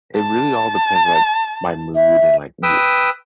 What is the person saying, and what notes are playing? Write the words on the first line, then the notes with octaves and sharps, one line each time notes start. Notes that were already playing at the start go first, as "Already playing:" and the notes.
it really all depends, like, my mood and, like w
A5
E5
B4 G5 D#6 E6